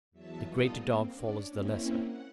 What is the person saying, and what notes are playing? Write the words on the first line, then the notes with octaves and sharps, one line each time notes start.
The Greater Dog follows the Lesser.
E2 F#3 E5 A5
G3 B3 D#4 F4 A4 D#5
A#3 C4
C#4 D4 D5
A#3 C4 C#4 E4
F#5